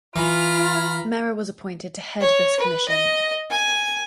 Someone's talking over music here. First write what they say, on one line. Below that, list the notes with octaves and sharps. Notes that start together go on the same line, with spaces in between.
Mehra was appointed to head this commission.
E3 F4 G#5 A#5 B5 F6
C#5
B4
D#5
G#5